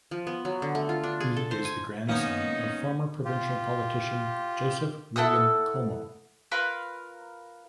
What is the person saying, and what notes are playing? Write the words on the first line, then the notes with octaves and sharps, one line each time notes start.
He is the grandson of former provincial politician, Joseph William Comeau.
F3
B3
F#3
D3
A3
F4
D4
G#4
A4
C5
G#5
D#3 A#3 B3 C#4 D#4
F4 G4
E4 A4 F#5 D#6
F4 A#4 B4